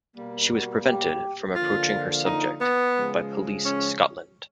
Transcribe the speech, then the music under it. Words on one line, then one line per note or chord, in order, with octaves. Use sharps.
She was prevented from approaching her subject by Police Scotland.
B2 G3 A#3
F#4
G4
D3 F3 A#3 F4
D#4
B3
C#3 F3 G#3
C#4